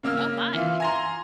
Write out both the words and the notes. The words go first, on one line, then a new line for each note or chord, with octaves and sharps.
Oh my!
C#3 A#3 E6 F6
E3 E4 F4
G#5 A#5 C6